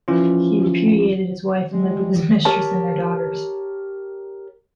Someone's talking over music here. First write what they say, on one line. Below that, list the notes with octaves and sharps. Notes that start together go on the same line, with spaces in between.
He repudiated his wife and lived with his mistress and their daughters.
E3 F3 C#4 E4 F4
G3 G#3
G4 A#4 C#5 A5